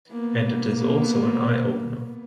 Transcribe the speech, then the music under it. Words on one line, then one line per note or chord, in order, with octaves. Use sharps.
And it is also an eye opener.
A#3 B3